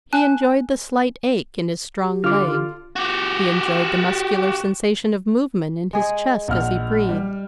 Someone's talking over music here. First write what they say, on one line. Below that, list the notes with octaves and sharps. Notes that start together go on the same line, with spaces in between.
He enjoyed the slight ache in his strong leg, he enjoyed the muscular sensation of movement in his chest as he breathed.
G#5 A5 F#6
G4
D3 D4 F4 D6 F6
F#4 G4
G#3 G#4
A#1 F#5 F6
G3